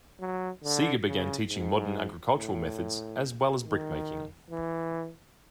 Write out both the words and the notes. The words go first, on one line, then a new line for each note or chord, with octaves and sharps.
Seger began teaching modern agricultural methods as well as brick-making.
F#3
D3
C#3
G#2
A2
D#3
E3